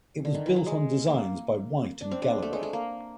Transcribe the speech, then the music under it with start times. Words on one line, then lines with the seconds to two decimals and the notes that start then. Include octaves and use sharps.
It was built on designs by Whyte and Galloway.
0.25 D3
0.34 D#3
0.46 E3
0.56 F#3
0.66 G#3
1.07 A#3
2.01 D4
2.11 C4
2.22 D4
2.42 A3
2.53 G#3
2.63 A3
2.73 A#3